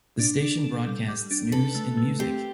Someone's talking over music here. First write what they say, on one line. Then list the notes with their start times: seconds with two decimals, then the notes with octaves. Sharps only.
The station broadcasts news and music.
0.19 D4
0.41 D4
0.64 A4
0.86 G3
1.08 G3
1.31 D4
1.52 A4 B4
1.75 A3
1.97 A3
2.19 C4 G4